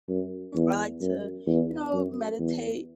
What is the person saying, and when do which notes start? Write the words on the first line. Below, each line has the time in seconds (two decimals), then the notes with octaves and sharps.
I like to, you know, meditate.
0.09 F#2
0.55 E2
1.01 F#2
1.46 E2
1.93 F#2
2.39 E2